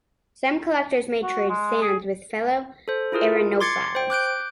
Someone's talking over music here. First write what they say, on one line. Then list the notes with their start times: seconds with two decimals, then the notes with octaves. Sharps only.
Some collectors may trade sands with fellow arenophiles.
1.23 F#4
1.49 G#3
1.81 G#4
2.88 A4 C5
3.12 E4 F4 G#4 A#4
3.60 C6 D6 G#6 A6 C7 C#7
3.95 C5 G5
4.10 D6 F#6 G6 D7